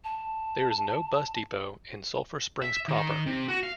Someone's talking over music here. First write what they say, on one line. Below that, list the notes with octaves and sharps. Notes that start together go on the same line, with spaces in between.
There is no bus depot in Sulphur Springs proper.
A5
E5
D#3
C3
F#4
F5